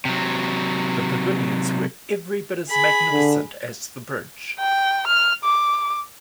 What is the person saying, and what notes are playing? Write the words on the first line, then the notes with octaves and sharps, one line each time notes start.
The pavilions were every bit as magnificent as the bridge.
C3 F#3
G#4 B5
D3
G5
F6
D6